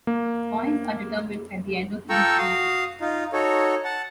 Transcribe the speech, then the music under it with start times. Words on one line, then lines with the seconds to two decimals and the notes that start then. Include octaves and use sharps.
Points are determined at the end of each round.
0.07 A#3
2.10 F4 A4 G5 A#5 C#6 E6
2.38 F#4 F5 D#6
3.01 D#4 F4
3.33 D#4 F#4 A4 C#5
3.84 F#5 A5